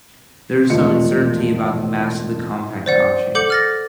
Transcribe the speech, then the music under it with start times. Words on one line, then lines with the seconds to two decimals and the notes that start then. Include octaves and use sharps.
There is some uncertainty about the mass of the compact object.
0.70 E1 F2 A3 F4 D#5 C#7
2.86 C5 D5 F#5
3.35 A4 F#5 D6 G6 C#7 F#7
3.50 F6 A6 A#6